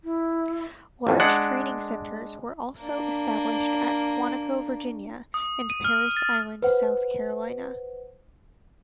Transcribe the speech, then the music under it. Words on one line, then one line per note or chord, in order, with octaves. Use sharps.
Large training centers were also established at Quantico, Virginia, and Parris Island, South Carolina.
E4
A1 F2
G#3 D4 F#5
A#3 D4
D#6
D#7
F6
A6
B4 C5 F#5